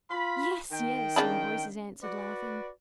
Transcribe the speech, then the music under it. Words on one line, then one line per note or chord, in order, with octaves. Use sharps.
"Yes, yes!" some voices answered, laughing.
F4 B5
D#3 G5
C#3 D4 B5
F#4 B4 D5